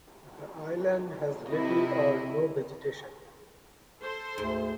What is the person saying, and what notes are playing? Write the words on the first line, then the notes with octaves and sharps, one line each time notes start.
The island has little or no vegetation.
C3 E4 D#5
A4 C5 C6
D2 G#2